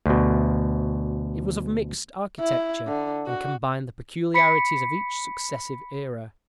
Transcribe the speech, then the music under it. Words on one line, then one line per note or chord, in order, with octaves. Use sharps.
It was of mixed architecture, and combined the peculiarities of each successive era.
D2 B2
E4
D3
F#4
B5 B6 C#7